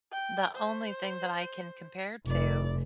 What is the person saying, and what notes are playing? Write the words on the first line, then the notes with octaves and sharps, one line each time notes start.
the only thing that I can compare to
G5
C5
F1 D5